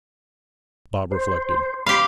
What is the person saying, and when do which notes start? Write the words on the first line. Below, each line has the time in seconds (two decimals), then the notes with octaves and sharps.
Bob reflected.
1.12 C5
1.86 G4 F5 B5 C6